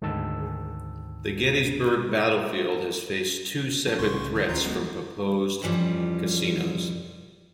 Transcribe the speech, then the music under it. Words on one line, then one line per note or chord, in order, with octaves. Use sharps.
The Gettysburg Battlefield has faced two separate threats from proposed casinos.
D2 G#2 D#3 A5 E6
F#3 D4
C2 A2 C#3 C6 C#6
D#3
D#2 G#3 C#4 F4 A#5 C7
F1 F#3 G#3 B3
F2 E3 F3 G3 C#4